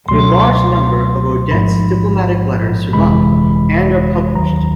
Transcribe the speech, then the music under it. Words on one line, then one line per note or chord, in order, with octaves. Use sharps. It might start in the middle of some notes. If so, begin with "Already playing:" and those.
A large number of Odet's diplomatic letters survive and are published.
C#2 B2 F#3 A3 C6
A1 G#2 F3 B5
G1 F2 C3 E3 G#3 B5
D#2 D#3 F#3 A#5